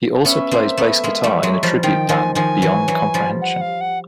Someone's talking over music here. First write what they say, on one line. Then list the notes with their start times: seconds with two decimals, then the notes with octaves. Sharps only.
He also plays bass guitar in a tribute band, Beyond Comprehension.
0.25 B3 C#4 E5
0.51 A#3 C4
0.77 A3 B3
1.04 G#3 A#3
1.24 G3 A3
1.43 F#3 G#3
1.63 F3 G3
1.83 D#3 F3 G5
2.09 D#3 F3 G#5
2.35 D#3 F3 G#5
2.62 E3 F#3
2.88 E3 F#3
3.14 F3 G3
3.41 F#5
3.61 F5
3.81 F#5